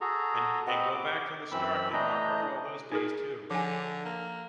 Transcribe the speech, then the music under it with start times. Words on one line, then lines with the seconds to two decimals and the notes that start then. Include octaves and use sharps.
and and go back from the start and mark off all those days too
0.01 F#4 G#4 A4 A#5
0.67 C4 F#4 B4 D#5 F#5
0.92 D6
1.52 F#2 E3 C4 B5 E6
1.93 E3 A3 D4 D#5 A#5 G6
2.92 D#4 G#4 A#4
3.50 D3 F3 G#5
4.05 A#3